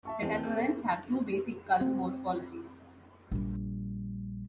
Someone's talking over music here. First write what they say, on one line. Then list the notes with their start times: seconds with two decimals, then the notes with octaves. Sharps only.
Tetanurans have two basic skull morphologies.
0.05 E5 A5 C#6
0.22 E2 C4 A#4 C5 A5
0.43 B3 G#4 A#4 G6
1.81 C4
3.31 A#1 G3